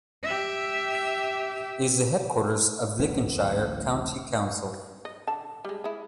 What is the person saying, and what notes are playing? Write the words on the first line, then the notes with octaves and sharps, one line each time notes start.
It is the headquarters of Lincolnshire County Council.
G4 E5
D1 A1 A2 B3
D#5
D3 A5
G3 G#3
G#3 E4